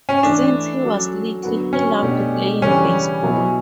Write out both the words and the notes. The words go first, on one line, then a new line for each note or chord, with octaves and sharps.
Since he was little he loved playing baseball.
C#4
E3 A3 D4 E4 A4
F#3 C#4 F#4 A4
D3 F#3 B3 F#4
C#4
B2 A3 D4 G4
C#3 E3 G3 C#4 D4 G4
B2 F#3 B3 E4